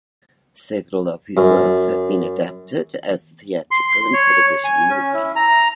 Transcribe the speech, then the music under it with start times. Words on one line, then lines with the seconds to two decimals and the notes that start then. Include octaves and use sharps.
Several of his works have been adapted as theatrical and television movies.
1.37 F#2
3.71 C6
4.13 C#5
4.64 G#5
4.90 C#4
5.14 E4
5.36 A#5